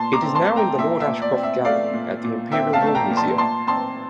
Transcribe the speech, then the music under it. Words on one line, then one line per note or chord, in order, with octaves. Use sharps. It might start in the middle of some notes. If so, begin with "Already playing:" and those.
It is now in the Lord Ashcroft Gallery at the Imperial War Museum.
Already playing: A#2 A5 C6
A#5 D6
C4
A5 C6
A3
G5 A#5
A#2 E5
E5
A#2
D5
C4
E5
A3 D5 F5
A#2
A#2
C4 E5 G5
F5 A5
A3
A5
G5 A#5
A#2
A5 C6
A#2 A5 C6
C4 A5 C6